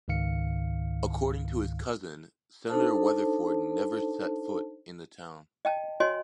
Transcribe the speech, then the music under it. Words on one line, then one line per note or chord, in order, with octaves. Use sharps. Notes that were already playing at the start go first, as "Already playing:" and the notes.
According to his cousin, Senator Weatherford never set foot in the town.
C#2 G#2 D#3 F5 C#7
D4 D#4 A4 C5 A5
D#5 G5 A5
F#4 C#5 D#5 G#5 C6